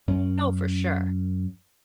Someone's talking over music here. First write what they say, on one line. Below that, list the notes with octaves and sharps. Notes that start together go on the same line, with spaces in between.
Oh, for sure.
F#2 C#4